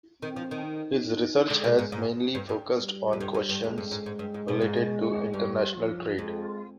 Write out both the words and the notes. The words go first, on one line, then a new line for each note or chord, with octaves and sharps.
His research has mainly focused on questions related to international trade.
D#3 C4
F3
D#3
D#4
D3 G#3
B2
G#2
G#2
G2
G2
G3
F2
G2
G2
G2
F2 G#3
G2
G#2
G#2
G2
G#2
B2
G#2
B2
G2 G3
F3
F2 G#3